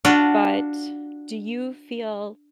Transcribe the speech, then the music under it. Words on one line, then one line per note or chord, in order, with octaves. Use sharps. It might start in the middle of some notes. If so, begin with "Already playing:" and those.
but do you feel
D4 F4 F#4